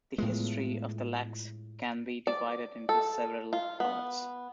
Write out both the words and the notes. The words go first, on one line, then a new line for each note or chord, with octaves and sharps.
The history of the Laks can be divided into several parts.
A2 G#3 A3 B3 F4
D5
A4
F4
B3